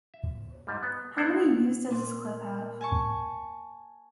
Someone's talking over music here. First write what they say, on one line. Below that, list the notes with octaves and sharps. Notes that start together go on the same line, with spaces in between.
How many views does this clip have?
E5
G#2 G3
B3
B3 C4 E4 C5 F#5
A#2
G#5 A5 C#6